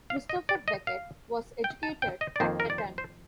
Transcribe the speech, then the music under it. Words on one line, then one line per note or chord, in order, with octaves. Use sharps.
Christopher Beckett was educated at Eton.
F5
D#5
D5
D#5
F5
G5
A5
G5
D#5
D5
F2 D#3 A#3 C5
A#4
D5
C5
C5